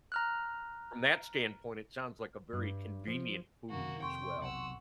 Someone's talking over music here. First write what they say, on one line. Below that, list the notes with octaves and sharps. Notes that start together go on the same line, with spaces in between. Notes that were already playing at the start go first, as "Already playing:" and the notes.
from that standpoint, it sounds like a very convenient food, as well.
A#5 F6 F#6
G2
F3
F#2 C3 D#3 A#3 F#4
F2 C3 G5 C6 C#6
B1 A2 C3 F#3 F#5 E6